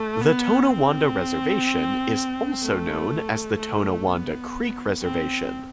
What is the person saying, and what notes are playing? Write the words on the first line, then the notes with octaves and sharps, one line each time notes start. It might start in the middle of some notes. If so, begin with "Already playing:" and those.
The Tonawanda Reservation is also known as the Tonawanda Creek Reservation.
Already playing: A3
B3
C4
A3
A3
B3
C4